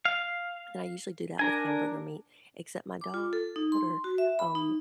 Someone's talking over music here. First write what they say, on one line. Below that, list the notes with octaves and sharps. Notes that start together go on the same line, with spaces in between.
and I usually do that with hamburger meat, except my daughter, um,
F5
D4 A#4 G#5
D6
F4
A4
D#4
C6
F#4
E5
B5
D#4